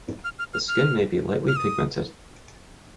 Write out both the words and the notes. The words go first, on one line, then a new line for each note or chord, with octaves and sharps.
The skin may be lightly pigmented.
F6
F6
F6
F6
F6
D#6